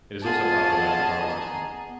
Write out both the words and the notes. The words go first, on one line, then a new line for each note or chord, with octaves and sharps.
It is also part of the National Highway System.
B3 F4 G#4 D#5 A5
A#5